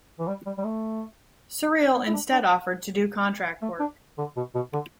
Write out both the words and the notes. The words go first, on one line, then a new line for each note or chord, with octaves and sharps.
Surreal instead offered to do contract work.
E3
G3
G3
G3
A3
B3
E4
D4
D4
A3
D4
D3
B2
B2
D3